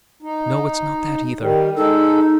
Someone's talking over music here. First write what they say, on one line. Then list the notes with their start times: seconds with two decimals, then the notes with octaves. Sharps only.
No, it's not that either.
0.22 D#4
1.40 D#3 G3
1.77 G#3 D#4 A4